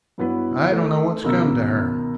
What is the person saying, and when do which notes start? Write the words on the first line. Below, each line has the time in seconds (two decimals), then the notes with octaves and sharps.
"I don't know what's come to her."
0.18 G2 F#3 B3 E4 B4
0.72 A3
1.24 C#2 B2 D#3 A#4 D#5 E6